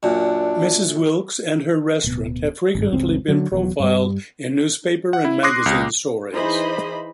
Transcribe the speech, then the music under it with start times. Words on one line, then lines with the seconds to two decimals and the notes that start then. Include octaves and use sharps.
Mrs. Wilkes and her restaurant have frequently been profiled in newspaper and magazine stories.
0.03 F#2 A#2 D4
2.04 D1 B2
2.75 G#1 G2
2.92 G1 C#2 C4
3.28 D3 F#3
3.52 E1 E2 F#3
3.80 G2 G3
5.13 F#5
5.25 E4
5.43 C6 D6 D#6 F#6 A#6 C7
5.66 C#2
6.34 E3 D#4 G#4 C5 D#5 B5